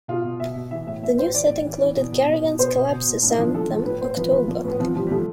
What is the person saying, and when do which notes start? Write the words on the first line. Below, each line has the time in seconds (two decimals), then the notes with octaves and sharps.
The new set included Garrigan's Collapsis anthem, October.
0.08 B2 F4
0.24 B2
0.40 B2 E5
0.55 B2
0.71 E3 E5
0.87 A2 E5
1.02 A2 E5
1.18 A2 C5
1.34 E3 D5
1.49 A2
1.66 E3
1.82 E3
1.96 B2
2.12 B2
2.28 B2
2.44 B2
2.59 B2 C5
2.76 B2
2.91 B2
3.07 B2
3.22 A2 D4
3.30 E4
3.38 F3 D4
3.54 F3 A4
3.70 F3
3.85 A2 B4
4.01 A2 C5
4.17 F3 B4
4.32 F3 B4
4.48 F3
4.64 A2 B4
4.71 B3
4.79 F3 C4
4.94 F3 G3
5.07 G3
5.10 F3 A3